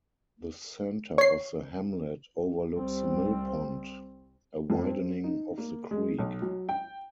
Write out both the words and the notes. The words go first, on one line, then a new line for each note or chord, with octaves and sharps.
The center of the hamlet overlooks Mill Pond, a widening of the creek.
C#5 C7
C2 G3 C4
F2
C4
D#4
A#3
G#3
B1
F#3
G5